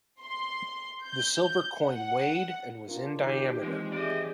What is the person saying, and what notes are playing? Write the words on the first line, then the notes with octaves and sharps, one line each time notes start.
The silver coin weighed and was in diameter.
C6
G6
F#5
D4 F4 A#4
D#3 D#4 G4
E3 G#3 C4
G4 G#4 D5 D#5